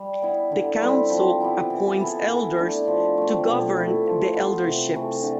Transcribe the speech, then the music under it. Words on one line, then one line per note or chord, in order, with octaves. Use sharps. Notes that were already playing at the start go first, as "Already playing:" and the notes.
The council appoints elders to govern the elderships.
Already playing: G3
B3 E4
D3
G3 C4 E4
F3
B3 E4 G4
E3
B3 E4 A4
E3
A3 D4
F3
A3 C4
B2
A3 E4
F3
B3 F4
C3
E3 A3
D3